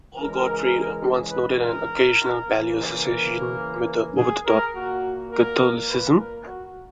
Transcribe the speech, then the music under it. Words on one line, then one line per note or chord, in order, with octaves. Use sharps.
Paul Gottfried once noted an occasional paleo association with over-the-top Catholicism.
C#3 E3 G#3 A#4
B4
A#4
C#3 E3 A#3
A#4
G#4
A#4
A#2 A#3 F#4
A#4
B4
A#4
F#4